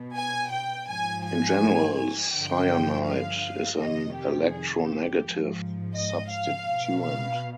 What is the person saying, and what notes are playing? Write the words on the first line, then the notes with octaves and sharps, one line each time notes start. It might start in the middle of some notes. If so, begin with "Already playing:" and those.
In general, cyanide is an electronegative substituent.
Already playing: B2
G#5
G5
G#2 F3 G#5
G#5
G#5
G2 D3 F3 G5
F5
F2 C3 D#3 D#5
G4
G#4
G4
G#2 F3
D#5
F5
B2
F5